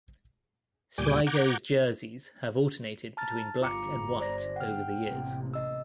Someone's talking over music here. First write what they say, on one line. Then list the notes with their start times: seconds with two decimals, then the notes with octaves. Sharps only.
Sligo's jerseys have alternated between black and white over the years.
0.98 D2 A#2 G3 G#5 D6 G6
1.27 F#5 A#5 D6 G6 G#6
3.17 A5 A#5 F6 A6
3.61 G1 F4 A#5 D6 C#7
4.20 C5 D5 A#6
4.56 F#5 G5 F6
5.03 A1 C3 A#3
5.54 D#5 E6